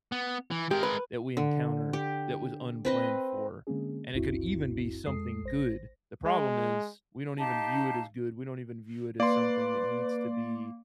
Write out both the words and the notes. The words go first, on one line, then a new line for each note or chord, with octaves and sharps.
that we encounter that was unplanned for, and it could even be something good. The problem is we don't even view it as good; we don't even view it as something that needs to be
B3
E3
G#3 G4 A#4
B4
D3
G4
C4 B4 D#5
D3 G#3 A#3 C4 C#4 G#4
G#1 D2 G2 C4 E4 F#4
F2 G#3 A4 D#6 C7
A1 C5 A#6
G#3
D#4 G4 F5 A5
A#3 B4 D5 C6